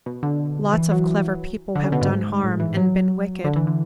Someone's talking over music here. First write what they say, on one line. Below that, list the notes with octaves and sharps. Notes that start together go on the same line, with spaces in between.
Lots of clever people have done harm and been wicked.
B2
D3
E3
F#3
D3
C#3
B2
G#2
A2
E3
F#3
D3
E3
D3